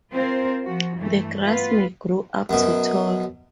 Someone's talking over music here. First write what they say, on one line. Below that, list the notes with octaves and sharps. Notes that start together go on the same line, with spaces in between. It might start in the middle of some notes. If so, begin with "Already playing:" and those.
The grass may grow up to tall.
C4 F4 A#4 C5
F3 F#4
G2 E3 A3
B3 F4 B4
F#2 B2